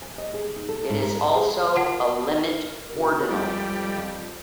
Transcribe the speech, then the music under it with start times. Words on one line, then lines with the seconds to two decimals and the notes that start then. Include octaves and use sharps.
It is also a limit ordinal.
0.02 G#5
0.18 D#5
0.34 G#4
0.56 D#4
0.69 A4
0.89 G#2
1.02 A#4
1.19 A5
1.35 G#4
1.76 F4 A#4 F#5 A5
2.93 C#3 A#3 F#4
3.30 F2 G3 G#3
3.88 D5